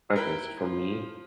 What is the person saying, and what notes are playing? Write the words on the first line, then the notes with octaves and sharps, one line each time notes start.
Okay, so, for me,
E4 A#4 B4 G5
F3